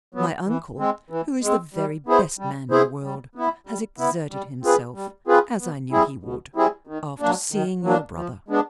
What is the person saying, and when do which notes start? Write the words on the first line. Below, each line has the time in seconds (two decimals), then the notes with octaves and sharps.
My uncle, who is the very best man in the world, has exerted himself, as I knew he would, after seeing your brother.
0.14 F#3 B3
0.47 E3
0.79 G#3 C4
1.10 E3
1.42 G#3 C4
1.74 G3
2.07 B3 E4 G#4 C5
2.39 G3
2.71 B3 E4 G#4 C5
3.03 G3
3.35 B3 E4
3.67 G3
3.99 B3 E4
4.31 G3
4.63 C4 F4 G#4 B4
4.95 G3
5.27 C4 F4 G#4 B4
5.59 B2
5.92 G3 C4 E4 G#4
6.23 B2
6.55 G3 C4 E4 G#4
6.87 D#3
7.20 F#3 A#3 D4
7.52 D#3
7.83 F#3 A#3 D4
8.16 F3
8.48 G#3 B3 D4